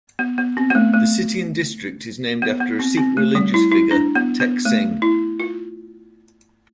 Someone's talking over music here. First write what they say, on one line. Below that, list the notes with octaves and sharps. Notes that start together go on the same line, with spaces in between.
The city and district is named after a Sikh religious figure Tek Singh.
B3
B3
C4
B3
A3
A3
B3
B3
C4
C4
A3
G3
E4
E4
D4
B3
B3
A3
E4
F4